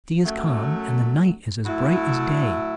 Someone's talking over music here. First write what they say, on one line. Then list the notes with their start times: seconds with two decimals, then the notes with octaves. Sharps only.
The sea is calm and the night is as bright as day.
0.23 F#2 F#3 A3
1.64 A2 F#3 A3 E4